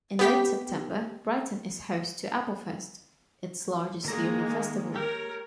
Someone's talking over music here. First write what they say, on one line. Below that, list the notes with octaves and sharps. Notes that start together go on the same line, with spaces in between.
In late September, Brighton is host to Applefest, its largest yearly festival.
B3 G4 B6
D#3 G#3 A#3 A#5
G4 A#4 C#5